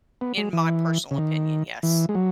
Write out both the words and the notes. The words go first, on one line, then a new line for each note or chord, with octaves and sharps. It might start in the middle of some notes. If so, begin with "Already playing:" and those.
in my personal opinion, yes.
B3
G#3
E3
C#3
D#3
E3
G#3
F#3